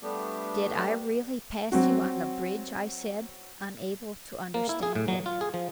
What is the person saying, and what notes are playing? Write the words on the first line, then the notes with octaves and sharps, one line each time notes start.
"Did I really pass you on the bridge?" I said, unable to understand it.
G3 A3 B3 D4 G4
F#3 C4 F#4
A#3
E4
G#4
A2
F#3
F4
G#4
F3